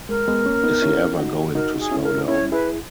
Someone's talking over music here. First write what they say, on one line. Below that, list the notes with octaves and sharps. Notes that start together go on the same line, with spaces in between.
Is he ever going to slow down?
G#3 A#4
G#3 B3
A#3 C#4
B3 D#4
C#4 E4
D#4 F#4
D#4 F#4 A#4
G#4
C#4 E4
A#4
C#4 E4 C#5
E4 G#4 B4